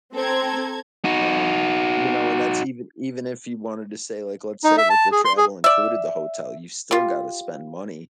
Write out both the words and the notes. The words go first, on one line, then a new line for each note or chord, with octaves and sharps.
um, you know, and that's even even if you wanted to say, like let's say that the travel included the hotel, you still gotta spend money,
C4 A4 A#5 G#6
D#4 F#4
D#4
E5
A5
G#4
C6
G#4
D5 E5
G3 F4